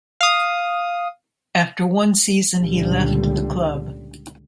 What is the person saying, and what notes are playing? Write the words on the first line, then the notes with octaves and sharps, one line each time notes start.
After one season he left the club.
F5 D#6
C#2 A#2 D3 G3